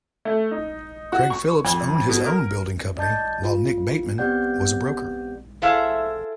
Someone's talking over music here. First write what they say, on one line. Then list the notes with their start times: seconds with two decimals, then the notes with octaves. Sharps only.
Craig Phillips owned his own building company, while Nick Bateman was a broker.
0.25 A3
0.51 D#4
1.13 F#4
1.30 C#6
1.65 F2
2.09 B2
2.26 A#4
2.97 D5 D#5 A5 G6 A6
3.44 F4
4.18 B3 C4 G4 D5 F#5 G6
5.62 E4 G#4 A4 C5 E5 F5